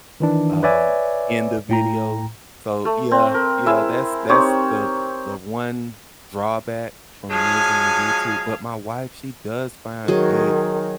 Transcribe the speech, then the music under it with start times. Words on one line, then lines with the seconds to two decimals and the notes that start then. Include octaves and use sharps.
um, in the video. So, yeah, yeah, that's that's the the one drawback from using the YouTube, but my wife, she does find good,
0.20 D#3 E3 D4
0.63 B4 C#5 D5 E5 G#5
1.69 A2 G5 A#5
2.85 A3
3.11 C4
3.34 A#4
3.66 E4 G#4 E5 E6
4.29 C4 D#4 G4 C#5
7.31 F3 F#3 G#3 G#4 F5 G#5 A5
10.08 D#3 F#3 G#4